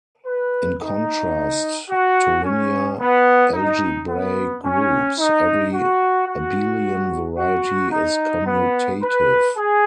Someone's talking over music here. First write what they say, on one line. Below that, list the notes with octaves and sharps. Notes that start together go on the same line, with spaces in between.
In contrast to linear algebraic groups, every abelian variety is commutative.
B4
D#4
F#4
C#4
B3
D#4
B3
C#4
D#4
F#4
F#4
F#4
D#4
B3
B4
G#4